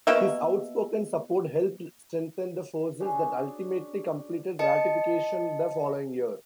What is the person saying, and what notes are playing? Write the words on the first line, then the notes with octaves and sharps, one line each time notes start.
His outspoken support helped strengthen the forces that ultimately completed ratification the following year.
B2 A#3 E5
C#4 D4 F#4 G#4
D#5 A5 C#7